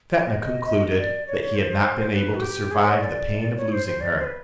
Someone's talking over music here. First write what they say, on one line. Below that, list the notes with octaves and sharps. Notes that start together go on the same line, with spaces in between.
Fetnah concluded, that he had not been able to survive the pain of losing her.
D#5
D5
C#5
C#5
C5
B4
F#4
G4
G#4
C#5
D5
C#5
C5
C5
D5
C5
B4